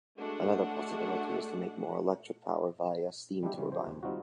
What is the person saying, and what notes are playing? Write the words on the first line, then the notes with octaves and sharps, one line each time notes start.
Another possibility is to make more electric power via a steam turbine.
G#3 A3 D4 F#4 F#5
G3 G#3 B3 D4 E4 G4
C#3 E3 G3 G#3 C#4
F3 C5
D#2
G3 C4 D#4 F4 F#4